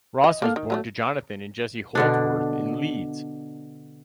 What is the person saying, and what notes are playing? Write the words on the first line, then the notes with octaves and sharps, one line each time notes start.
Ross was born to Jonathan and Jessie Holdsworth in Leeds.
D#5
A#3 A4 F5
D#3
F#3 G#3 A3
B2 D3 D4